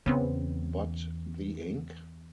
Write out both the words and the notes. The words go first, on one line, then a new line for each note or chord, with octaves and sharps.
But the ink?
E2 C#3 B3 C4